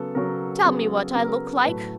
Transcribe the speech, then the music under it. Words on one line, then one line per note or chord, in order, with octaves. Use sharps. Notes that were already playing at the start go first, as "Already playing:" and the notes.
"Tell me what I look like."
Already playing: C#3 F#3 B3 A4
C#3 F#3 B3 A#4
C#3 F#3 B3 G#4
C#3 F#3 B3 A#4
A2 F#3 A3 B4